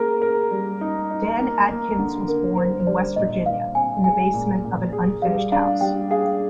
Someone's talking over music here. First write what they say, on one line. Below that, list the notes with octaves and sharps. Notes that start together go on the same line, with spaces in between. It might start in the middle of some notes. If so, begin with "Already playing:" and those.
Dan Adkins was born in West Virginia, in the basement of an unfinished house.
Already playing: A#3 G#4 A#4
A#4
G3
D#4
D#4
A#3
A#3
D3
D3 A#4
D3 C5
C5
G3 D5
A#2 D#5
A#2 F5
C4 G#5
G#3 G#5
A#2
A#2
G#4
G3 F5
D4 F5
G3 G5
G#4 F5